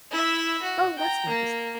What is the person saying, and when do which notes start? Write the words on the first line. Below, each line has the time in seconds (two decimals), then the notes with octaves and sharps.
Oh, that's nice.
0.11 E4 E5
0.62 F#4
0.97 G5 A#5
1.29 A#3